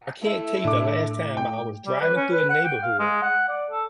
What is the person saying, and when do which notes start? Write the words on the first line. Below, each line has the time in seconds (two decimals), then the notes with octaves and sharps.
I can't tell you the last time I was driving through a neighborhood,
0.21 A3 E4
0.64 A2 D4 D6
1.37 G5
1.86 G3
2.01 B4
2.16 C#4
2.32 B4
2.50 F#5
2.64 G5
2.82 F5
2.99 G#3
3.23 F#5
3.48 D5
3.71 A4